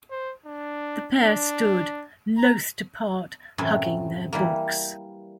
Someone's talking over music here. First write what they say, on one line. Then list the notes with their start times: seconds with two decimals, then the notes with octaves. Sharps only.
The pair stood, loth to part, hugging their books.
0.11 C5
0.46 D4
1.23 D4
2.37 A#5
3.58 F#2 A2 C3 E3
4.33 E3 G3 A#3